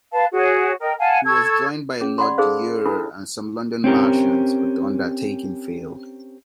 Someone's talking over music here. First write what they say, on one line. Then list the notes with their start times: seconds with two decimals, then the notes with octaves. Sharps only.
He was joined by Lord Eure and some London merchants, but the undertaking failed.
0.12 B4 F5 A5
0.31 F#4 G#4 C#5
0.81 A#4 D#5 G5
0.99 F5 F#5 G#5 A5
1.24 A4 C#6 E6 G#6
2.00 C#4 G#4 C#5
2.18 D5 F#5 B5 C6
2.38 D#4 G#4 A4 C5 F5
2.85 D4 E4 A4 B5
3.84 C4 C#4 G4 A#4